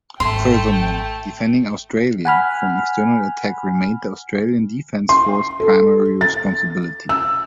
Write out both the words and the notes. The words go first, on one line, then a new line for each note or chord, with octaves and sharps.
Furthermore, defending Australia from external attack remained the Australian Defence Force primary responsibility.
G#1 A3 G5 A5 C6
F#5 G#5 B5 F6
C6
A4
A6
E6